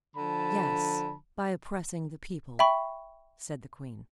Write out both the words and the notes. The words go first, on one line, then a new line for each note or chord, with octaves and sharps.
"Yes, by oppressing the people," said the queen.
D3 F3 A5 B5
E5 G5 B5 C#6